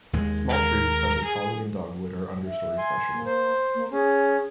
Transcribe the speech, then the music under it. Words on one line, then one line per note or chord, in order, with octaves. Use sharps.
Small trees such as holly and dogwood are understory specialists.
D#2 G#3
A#4
G#4
E5
G#5 C6
A#3
C5
A#3
C#4 G#4